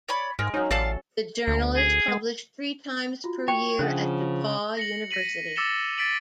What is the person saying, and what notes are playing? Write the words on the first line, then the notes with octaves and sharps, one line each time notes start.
The journal is published three times per year at DePauw University.
C#5 D5 B5
G#2 G#3 A#4
F#3 C#4 D#4
A1 A4 D5 F5 A5
D2
G#4
G#3
F4 F#4
C#5 G5
C#3 F3 D4 F#5 F#6
A#6 C#7 F#7
A#6 B6 D#7 F#7
D6 E6 A6 C#7 E7 G7
A6 B6 D7 F#7